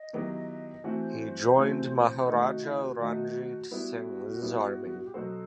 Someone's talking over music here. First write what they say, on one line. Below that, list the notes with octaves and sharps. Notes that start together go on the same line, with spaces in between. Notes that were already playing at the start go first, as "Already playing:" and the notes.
He joined Maharaja Ranjit Singh's army.
Already playing: D#5
D#3 F#3 B3 E4 G4
E3 A3 C4 F#4 C5
E3 A3 C4 F#4
D#3 A3 D#4 A4
F#4
E4
F#4
D#3 A3 D#4 F#4
G3 B3 E4 F#4
G3 B3 E4
G4
B2 F#3 B3 F#4 A4 C5